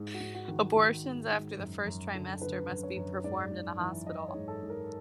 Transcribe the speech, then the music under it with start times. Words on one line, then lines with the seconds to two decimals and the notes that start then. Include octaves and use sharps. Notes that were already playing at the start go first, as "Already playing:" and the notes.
Abortions after the first trimester must be performed in a hospital.
Already playing: G#2
0.14 F#4
0.20 G#2
0.35 F#4
0.48 D#3
0.76 D#3
1.04 G#2
1.32 G#2
1.58 F#2
1.86 F#2
2.14 D3
2.42 D3 B4
2.69 F#2
2.83 C#5
2.96 F#2
3.24 G#2 D5
3.51 G#2
3.79 E3
4.07 E3 D#5
4.28 C#5
4.34 G#2
4.48 A4
4.63 G#2
4.70 A#4